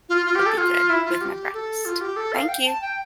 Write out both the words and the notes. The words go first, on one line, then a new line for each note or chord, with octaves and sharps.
would be good with my breakfast. Thank you.
F4
F4
G4
A4
F4
E4
F4
G4
A4
F4
G4
A4
F5
G5
A5
G5